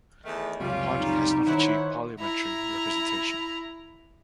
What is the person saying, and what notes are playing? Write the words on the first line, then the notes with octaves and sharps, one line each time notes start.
The party has not achieved parliamentary representation.
E2 D#3 A3
C#2 F#2 C3 G3 C#4 F4
D#4
D#3 E4 C5 C#5 F#5
E4 A#5